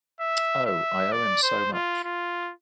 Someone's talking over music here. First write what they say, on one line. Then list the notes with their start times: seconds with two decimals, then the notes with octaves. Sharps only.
Oh, I owe him so much.
0.20 E5
0.66 E5
1.12 D5
1.43 C5
1.73 F4
2.04 F4